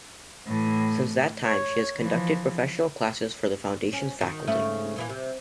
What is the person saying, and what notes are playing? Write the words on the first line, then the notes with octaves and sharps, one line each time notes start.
Since that time, she has conducted professional classes for the Foundation's faculty.
A2 E3
C#5
E3 F3
C#4
D#3 F#4
G#2 C#3 A3
A#2 E3 A#3
C3